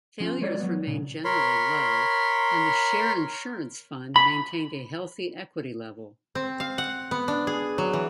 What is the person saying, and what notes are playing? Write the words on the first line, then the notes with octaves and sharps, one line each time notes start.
Failures remained generally low, and the Share Insurance Fund maintained a healthy equity level.
F3 C#4 F4
G#3 F#4 C#5 D5
F#3 B3
A#2 C#3
A#4 C#5 B5 C6
B5
C4
F5
F#5
B3
D4
G#4
F#3
E3